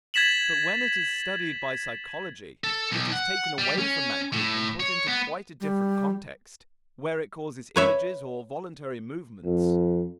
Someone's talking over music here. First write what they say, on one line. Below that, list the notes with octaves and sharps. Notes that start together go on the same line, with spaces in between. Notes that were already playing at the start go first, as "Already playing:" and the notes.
But when it is studied by psychology, it is taken away from that group and put into quite a different context, where it causes images or voluntary movements.
G#6 A6 B6 E7 F#7
A4
B1
F#5
G3
C#4
A2
C#5
B3
G3
B4 C#5 E5
F2